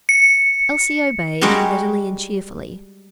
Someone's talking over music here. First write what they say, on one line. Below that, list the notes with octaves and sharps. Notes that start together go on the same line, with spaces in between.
Elsie obeyed, readily and cheerfully.
C#7
G3 G#3 F#4 G4 A#4